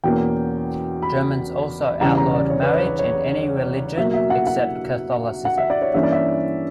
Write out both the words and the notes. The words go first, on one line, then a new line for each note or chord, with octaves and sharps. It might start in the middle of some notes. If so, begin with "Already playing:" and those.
Germans also outlawed marriage and any religion except Catholicism.
E2 B2 A#3 C#4 G5
B5
E2 C#3 G3 C#4 A#5
A#5
D5
C#5
B4
C#5
C#5
C#5
B2 F#3 A#3 E5
E5
F#5
F#5
F#5
E5
D5
C#5
G2 E3 A#3 C#4 E5
D5
E5